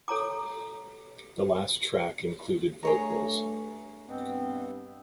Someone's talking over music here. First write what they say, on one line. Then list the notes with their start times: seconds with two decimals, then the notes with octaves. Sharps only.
The last track included vocals.
0.08 A4 C#5 A#5 D6
2.83 G2 A3 G#4 C#5 A#5
4.08 G2 B2 B3 C4